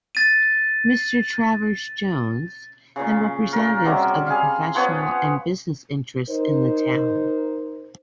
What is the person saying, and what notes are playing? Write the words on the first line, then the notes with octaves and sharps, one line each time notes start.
Mr. Travers Jones, and representatives of the professional and business interests in the town.
A6 D#7
A#2 C#3
A#2 A#4
C3 F#3 G3
G#4 F5
F3 B3 C#5 F#5
D#4 A#4 C5